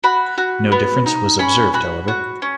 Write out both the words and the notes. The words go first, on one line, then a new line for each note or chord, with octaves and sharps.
No difference was observed, however.
F#4 B5
F#4
B3
D#4
C#4 B5
F#4 B5
F#4
C#4